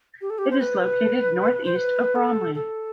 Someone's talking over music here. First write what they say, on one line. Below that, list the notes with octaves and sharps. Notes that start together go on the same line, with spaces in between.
It is located north east of Bromley.
G4
A4
G4
C5
B4
C5
B4
A4
A4